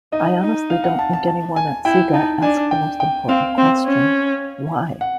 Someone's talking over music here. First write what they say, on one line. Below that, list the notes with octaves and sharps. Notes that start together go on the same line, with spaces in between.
I honestly don't think anyone at Sega asked the most important question: 'Why?
D#4 D#5
D#4
F5
F#5
A5
A5
A5
G#5
E4 G5
D#4 A5
D4 G#5
G5
G5
C4 F5
C4
C#4
F#5